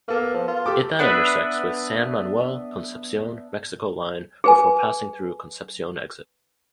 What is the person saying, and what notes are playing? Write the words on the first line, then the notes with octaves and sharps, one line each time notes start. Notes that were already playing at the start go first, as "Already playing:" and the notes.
It then intersects with San Manuel–Concepcion–Mexico line before passing through Concepcion Exit.
A#3 B3 A4
F3
F4
G4 A4 D6
B3 D4 B4 E5
G#4 B4 G#5